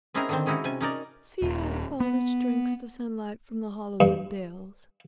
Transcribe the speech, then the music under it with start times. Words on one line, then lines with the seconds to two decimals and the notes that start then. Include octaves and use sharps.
"See how the foliage drinks the sunlight from the hollows and dells."
0.14 C4 C#4 D#4 E4 G#4 A#4
0.29 D3 D#3 C4
0.46 G#3 C#4 D#4 E4 F#4
0.64 C3 C#4 G#5
0.81 C#4 D#4 A#4 D5
1.42 D#1
2.00 B3
4.00 G2